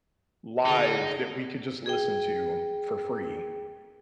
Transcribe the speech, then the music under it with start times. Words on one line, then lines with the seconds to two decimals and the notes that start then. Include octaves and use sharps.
live that we could just listen to for free.
0.66 D3 D#4 G#4 A4
1.86 G#4 G5